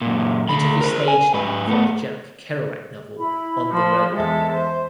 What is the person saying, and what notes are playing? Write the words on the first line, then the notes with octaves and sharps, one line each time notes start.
He took his stage name from the Jack Kerouac novel "On the Road".
F#2 A#2
D2 B5
A#4 C5
G#5
G#2 B4
A3 B3
E4 B5
F3 A5 C6
E2 G#3 A4 E5
C5